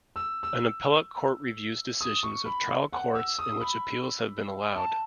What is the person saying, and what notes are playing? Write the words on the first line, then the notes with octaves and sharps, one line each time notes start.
An appellate court reviews decisions of trial courts in which appeals have been allowed.
E6
E6
D#6
C#6
B5
F#5
E6
D#6
B5
A5